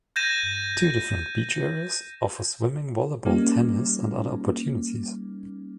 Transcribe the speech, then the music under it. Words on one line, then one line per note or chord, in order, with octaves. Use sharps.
Two different beach areas offer swimming, volleyball, tennis, and other opportunities.
G6 G#6 A#6 D#7 E7
G3 A#3 C#4 D#4